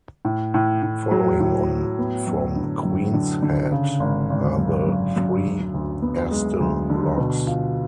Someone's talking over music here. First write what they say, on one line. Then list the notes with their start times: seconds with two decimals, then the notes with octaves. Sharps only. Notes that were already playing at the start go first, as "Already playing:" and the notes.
Following on from Queen's Head are the three Aston Locks.
0.25 A2
0.54 A2
0.83 A2
1.11 F#3
1.40 A2
1.69 F#3
1.98 B3
2.27 F#2
2.56 D3
2.85 F#2
3.14 D3
3.42 D3
3.72 C#3
4.00 G#1
4.30 G#1
4.59 F#2
4.86 F#2
5.16 F#2
5.45 D2
5.74 D2
6.02 B3
6.31 G#3
6.60 D2
6.90 D3
7.18 B2
7.47 F4